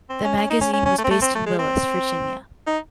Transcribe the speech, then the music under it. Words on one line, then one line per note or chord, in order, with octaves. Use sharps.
The magazine was based in Willis, Virginia.
C4
C#4
C#4
D#4
C#4
C#4
C#4
A3
C4
A3
C4
A3
G#3
C4
D#4